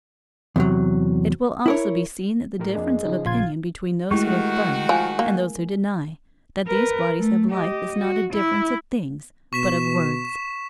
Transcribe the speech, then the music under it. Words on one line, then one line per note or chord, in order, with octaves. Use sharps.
It will also be seen that the difference of opinion between those who affirm, and those who deny, that these bodies have life, is not a difference of things but of words.
E2 C3 F#3
E4 A#4 C#5
A2 G4 A#4
F2 G#3 A#3 D4
C#3 F3 D#4
A#1 F4 C6 G#6
D#3 G#3 A3 E4 F#4 G4
F3 G#5
A#3
A#4 B4
A3
G4 D#5
F#4
E4
B2 C#6 B6 E7